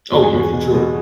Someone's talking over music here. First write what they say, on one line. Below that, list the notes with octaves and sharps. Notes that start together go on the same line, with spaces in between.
Oh, yeah, for sure.
E2 F#4
G#4
E2 F#4
B2
B2